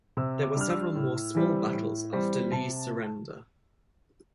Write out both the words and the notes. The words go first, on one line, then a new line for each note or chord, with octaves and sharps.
There were several more small battles after Lee's surrender.
C3 E6
D6
G3 D4 F6
E6
A2
E3 G3 C4
A2
E3 G3 C4
C3 A5